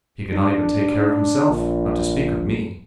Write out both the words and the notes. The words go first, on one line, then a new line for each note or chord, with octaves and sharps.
He could not even take care of himself, not to speak of me.
D4
A#1